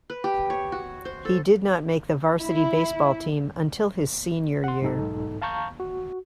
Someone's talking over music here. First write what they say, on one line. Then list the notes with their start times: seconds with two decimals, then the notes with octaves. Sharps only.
He did not make the varsity baseball team until his senior year.
0.10 B4
0.24 G4
0.50 C#5
0.72 F#4
1.05 C5
1.25 A4
2.38 E4
4.64 F#5 C6
4.82 B1 G#2 D#4 A4
5.42 F5 A5 A#5 C#6 G6
5.80 F#4